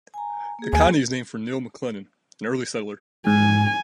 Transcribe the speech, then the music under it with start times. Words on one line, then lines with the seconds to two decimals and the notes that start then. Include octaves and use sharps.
The county is named for Neil McLennan, an early settler.
0.14 G#5 A#5
0.59 A#3 G#4
0.73 D#2 G#5
3.27 G#2 G#5